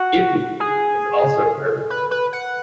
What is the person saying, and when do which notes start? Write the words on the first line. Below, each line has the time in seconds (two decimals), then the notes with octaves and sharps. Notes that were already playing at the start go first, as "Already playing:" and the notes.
"Ippi" is also heard.
Already playing: F#4
0.60 G#4
1.90 B4
2.11 B4
2.33 F#5